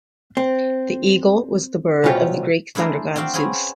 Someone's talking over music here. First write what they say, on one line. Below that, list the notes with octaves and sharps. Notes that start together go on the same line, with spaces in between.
The eagle was the bird of the Greek thunder-god Zeus.
C4
C2 B2 C#4 F4 C#5 G5
A3 D4 E4 G#4 A#4 C5
C4 D4 F#4 F5 G5
C4 C#4 G#4 B4 C#5